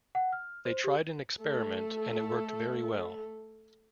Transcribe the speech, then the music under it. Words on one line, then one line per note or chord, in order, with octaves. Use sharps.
They tried an experiment and it worked very well.
F#5
F6
C5
G4
A3 A4